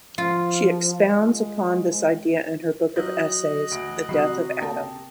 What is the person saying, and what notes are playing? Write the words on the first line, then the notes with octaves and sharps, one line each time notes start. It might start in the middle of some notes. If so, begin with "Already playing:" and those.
She expounds upon this idea in her book of essays, The Death of Adam.
F3 F4
G#3
F#3 E4 F4 B4 D#5 F#6 G6
D2 A#6 D7
C3 D#3 F#3 F#4 B5 D#6 F6 C7
A#3 A4 A#4 G5 A5